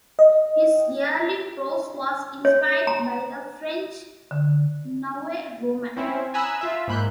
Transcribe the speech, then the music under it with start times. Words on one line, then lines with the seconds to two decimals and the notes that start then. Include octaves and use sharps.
His early prose was inspired by the French nouveau roman.
0.19 D#5
2.45 C#5
2.87 A#5
4.31 D3
5.97 C4 C#4 E4
6.34 G#5 A#5 B5 D#6 E6 F#6
6.61 F4 E5
6.87 G#2 A#3 B5 F#6 G6